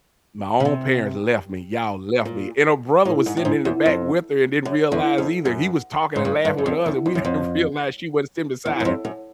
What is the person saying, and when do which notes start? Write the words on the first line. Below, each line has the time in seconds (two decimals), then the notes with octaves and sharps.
"My own parents left me. Y'all left me," and her brother was sitting in the back with her and didn't realize either. He was talking and laughing with us, and we didn't realize she wasn't sitting beside him,
0.60 C#3
0.65 C3
2.25 A#2
3.05 A2
3.26 G#2
3.37 A2
3.45 G#2
3.65 E2
3.86 F2
4.65 F#2
4.92 E2
5.18 F2
5.45 F#2
6.16 G#2
6.25 G2
6.45 G2
6.58 F#2
6.66 F2
6.86 E2
7.06 F2
7.15 F#2
7.25 F2
8.66 E2
8.80 F#2
8.85 F2
9.05 F#2